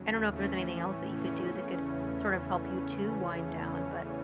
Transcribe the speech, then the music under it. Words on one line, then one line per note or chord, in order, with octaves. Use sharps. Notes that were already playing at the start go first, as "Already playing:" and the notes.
I don't know if there's anything else that you could do that could sort of help you to wind down, but
Already playing: D#2 C#3 F#3
A2 E3 A3 C#4
E2 C#3 E3 A3 C#4